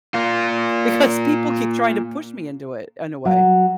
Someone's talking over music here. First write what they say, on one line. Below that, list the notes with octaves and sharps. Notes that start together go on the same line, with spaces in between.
because people keep trying to push me into it, in a way,
A#3 F4
F#3